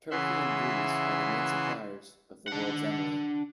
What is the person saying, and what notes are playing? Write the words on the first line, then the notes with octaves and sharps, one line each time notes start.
Turkey and Greece are the main suppliers of the world's emery.
C#3 E3 E5 F#5 C6
D4 F#5